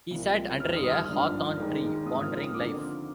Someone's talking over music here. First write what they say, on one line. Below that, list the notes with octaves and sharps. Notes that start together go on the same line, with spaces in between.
He sat under a hawthorn tree, pondering life.
C2 A#2 F3 C4
G1 F2 D#3 G3 F6
D#6
F6
G#1 G2 F3
D#2 D#3 G#3
G#1 G#2 F3 C4 D#6
F6
D#6
D#2 D3 F3 C4 D6